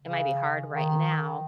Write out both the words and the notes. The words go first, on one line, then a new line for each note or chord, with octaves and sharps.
it might be hard right now,
C#3
D#3